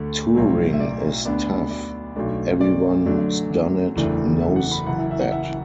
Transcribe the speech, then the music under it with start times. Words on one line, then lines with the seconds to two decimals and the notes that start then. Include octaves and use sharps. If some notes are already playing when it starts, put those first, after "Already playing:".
Touring is tough; everyone who's done it knows that.
Already playing: D2 D3 A3 D4
0.35 B1 A2 F#3
0.73 E5
0.80 D5
1.25 D2 D3 B3 D4
1.70 D5
2.16 B1 B2 A3 D4
2.61 D5
3.06 F#2 D3 F#3 A3 D4
3.96 F#1 E2 E3 A3 D4
4.41 E5
4.56 F#5
4.72 B5
4.86 F#1 F#2 E3 F#5
4.98 E5
5.11 E5
5.20 F#5
5.32 E5
5.43 E5